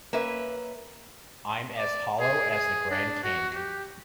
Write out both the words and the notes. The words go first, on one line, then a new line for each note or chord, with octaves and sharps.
I'm as hollow as the Grand Canyon.
A#3 C#4 B4 E5
D5
G#4
G#4
D4
F#4
G4